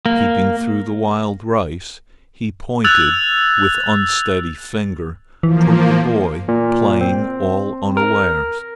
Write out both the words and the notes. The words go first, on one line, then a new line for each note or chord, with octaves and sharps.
Peeping through the wild rice, he pointed with unsteady finger toward the boy playing all unawares.
A#3
E6 F#6 G#6 A6 F7
E3 F3 A#3
A#2
C4
A#4